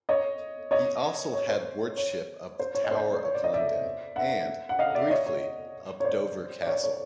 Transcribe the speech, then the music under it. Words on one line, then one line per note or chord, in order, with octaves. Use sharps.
He also had wardship of the Tower of London, and, briefly, of Dover Castle.
C#5 D#5
C#5 D#5
C#5
C5
C#5
C5
C#5
D#5
C5 D5
C#5
D5
D#5
D5 E5
E5 F#5
F#5
D#5 F5
D5 E5
C#5 D#5
C#5
C#5
C5 D5
D5
C#5
C#5